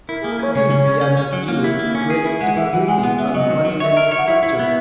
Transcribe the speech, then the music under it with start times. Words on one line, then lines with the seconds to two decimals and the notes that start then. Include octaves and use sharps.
These he had rescued with the greatest difficulty from the money-lenders' clutches.
0.08 E4 A#4
0.20 G#4
0.24 A#3
0.32 A#4
0.39 C#4 C#5
0.55 C#3 C#5
0.70 C#4
0.86 C#3
1.01 C#4
1.17 C#4
1.33 F#3
1.48 A#3
1.64 E4
1.79 A#3
1.95 C#4
2.10 G#4
2.26 E4
2.41 G#3 F#5
2.56 E3 E5
2.72 E3 F#5
2.88 G#3 G#5
3.03 B3 F#5
3.18 B3 E5
3.34 F#3 D#5
3.50 F#3
3.65 F#3
3.80 C#5 E5
3.97 A#4
4.12 C#5
4.17 F#5
4.28 E4 E5
4.43 E4
4.59 B3